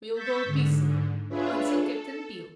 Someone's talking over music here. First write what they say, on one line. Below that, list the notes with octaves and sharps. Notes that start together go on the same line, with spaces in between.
"We'll go peaceable," answered Cap'n Bill.
C#6 E6 G6 A6 B6
G#2 D3
D4 F4 G#4 B4 C#5 E5
A4